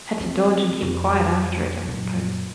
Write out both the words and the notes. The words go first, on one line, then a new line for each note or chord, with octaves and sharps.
Had to dodge and keep quiet after it, I suppose.'
C4
F2
F#2 A#2